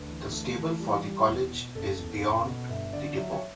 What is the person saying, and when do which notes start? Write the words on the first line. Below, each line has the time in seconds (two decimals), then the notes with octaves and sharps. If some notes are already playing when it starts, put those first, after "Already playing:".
The stable for the college is beyond the depot.
Already playing: D2 B4
0.09 E3
0.33 A3
0.57 E3
0.80 G3
1.04 G3
1.28 E2
1.51 B2
1.75 F#1 A4
1.99 E2
2.22 F#1
2.46 B2
2.69 G1 E5
2.93 D3 D5
3.17 F#3 E5
3.33 C#5